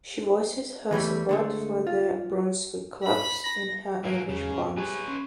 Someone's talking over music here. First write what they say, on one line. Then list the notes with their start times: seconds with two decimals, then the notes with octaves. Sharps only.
She voices her support for the Brunswick Clubs in her English poems.
0.91 E2 E3 G3 A3
1.29 D3 G#3 A3
1.87 F4
3.04 B5
3.44 A#6
4.04 G#2 E3 F#3 A#3
4.28 E2 C#3 G#4
4.60 F#2 B3
4.77 G3 G4 G#4 B4 C#5 G#5
5.08 C#4 C6